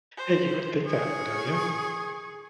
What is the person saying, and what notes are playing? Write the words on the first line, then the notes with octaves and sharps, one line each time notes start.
Yeah, you wouldn't think that, but, uh, yeah.
C5
G#4 C#6